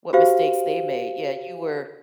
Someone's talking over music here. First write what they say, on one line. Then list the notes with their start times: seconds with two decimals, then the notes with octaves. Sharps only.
what mistakes they made yeah, you were
0.13 F#4 G4 C5 F5